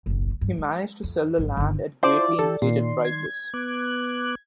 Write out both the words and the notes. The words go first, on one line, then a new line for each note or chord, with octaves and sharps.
He managed to sell the land at greatly inflated prices.
F#1 B1
G2
G#3
F2
G#1 F#2
G1 D#4
E4 F4 C5 D5 A5
E3 G4 A4
A#2 D#3 C6
G#6
B3 D6 F#6